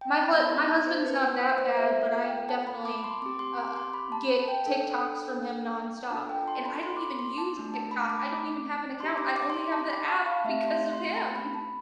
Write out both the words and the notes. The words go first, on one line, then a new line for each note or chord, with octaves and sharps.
my hu my husband's not that bad but I definitely, uh, get TikToks from him nonstop and I don't even use TikTok, I don't even have an account, I only have the app because of him.
G5
A5
B5
B3 E4 G4 C6
C6
A5
C5
B4
B4
C5
C5
B3 F4 A4 E5
F5
G5
A5
B5
D6
C6
C4 G4 D6
C6
D6
C6
B5
A5
G5
D4 A4
D4 F4 A4 A5
G5
C6
B5
C6
D6
C6
C6
A5
A3 D4 G4
A5
B5
D6
D4 G4 C6
D6
D6
C6
D6
A5
B5
A5
F5
A3 C4 G4 E5
C6
C6
B5
B5
A5